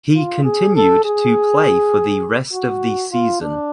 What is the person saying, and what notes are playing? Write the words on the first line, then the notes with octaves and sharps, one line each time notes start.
He continued to play for the rest of the season.
F4
G#4
A4
G#4
F#4
F4
D4